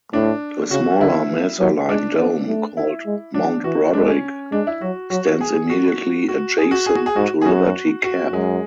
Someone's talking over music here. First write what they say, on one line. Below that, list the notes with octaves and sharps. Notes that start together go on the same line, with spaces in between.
A smaller, mesa-like dome called Mount Broderick stands immediately adjacent to Liberty Cap.
A2 D4
C#3 F#4
D3 E4
E3
F#3
G#3 D4
B3
A3
E4
G#3
F#3 D4
E3 F#4
G#3 D4
C#4
G#3 D4
E4
F#3 F#4
F#3 F#4
G#4
F#4
F#4
G#4
F#4
G#4
F#4
G#4
G#2 F#4
G#4
F#2 F#4
F#4
F#2 G#3